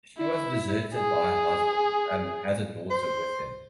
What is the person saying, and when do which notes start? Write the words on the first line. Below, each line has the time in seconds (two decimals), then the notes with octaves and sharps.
She was deserted by her husband, and has a daughter with him.
0.18 E4
0.94 G#4
2.90 C5